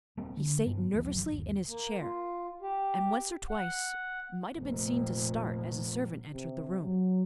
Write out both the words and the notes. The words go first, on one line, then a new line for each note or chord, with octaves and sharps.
He sate nervously in his chair; and once or twice might have been seen to start, as a servant entered the room.
E1 G3 A#3 C4
D3
G2 B3
A#1 D#2 E3 F3
G1 E2 F3 F#3
G1 D#2
A#3
F4
G4
F#5
F1 A#2
C3
F#3